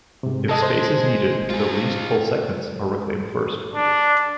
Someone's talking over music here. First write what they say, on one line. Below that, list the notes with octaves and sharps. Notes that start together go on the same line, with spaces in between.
If space is needed, the least-full segments are reclaimed first.
G#2 C3
G#3 A4 D#5 A5
C5
F4 G#4
D4